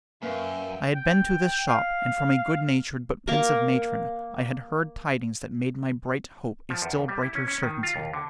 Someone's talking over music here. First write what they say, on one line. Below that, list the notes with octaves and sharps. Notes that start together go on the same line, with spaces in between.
I had been to this shop, and from a good-natured but pensive matron I had heard tidings that made my bright hope a still brighter certainty.
F#2 A#3 B4 E5 F5 G5 C#6
G5
F5
A#3 A#4
F3
E2
D#2
G3
E4
C#4
C#4
D#3
F4
D#2
D3